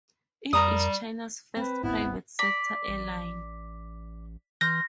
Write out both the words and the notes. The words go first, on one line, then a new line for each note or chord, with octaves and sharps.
It is China's first private sector airline.
F2 G3 A#4 A#5 D#6
C4 B4
D1 G1 G#2 B3 E4
D5 A#5 B6
A1
E3 C6 F6 G6 A#6